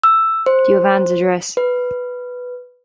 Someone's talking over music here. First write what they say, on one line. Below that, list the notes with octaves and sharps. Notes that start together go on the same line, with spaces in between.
Do you have Anne's address?
E6
C5
B4